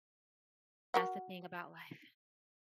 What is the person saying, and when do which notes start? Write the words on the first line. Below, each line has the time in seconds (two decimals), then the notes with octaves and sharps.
That's the thing about life.
0.94 F#4 A#4 F#5